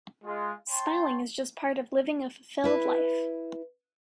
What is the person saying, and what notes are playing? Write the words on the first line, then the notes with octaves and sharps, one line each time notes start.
Smiling is just part of living a fulfilled life.
G#3 F4
C#5 G5 A5 C6
E4 B4